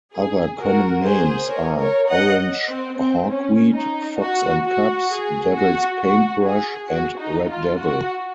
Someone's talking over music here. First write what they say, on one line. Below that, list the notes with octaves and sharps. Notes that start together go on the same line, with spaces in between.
Other common names are Orange Hawkweed, Fox and Cubs, Devil's paintbrush and Red devil.
G#4
F#4 A#4
G#4 C5
A#4 C#5
A#4 C#5
D#5 F#5
C4
C4
C#4
D#4
F#4
F#4
G#4
F#4
F#4
G#4
F#4
D#4
F4
F#4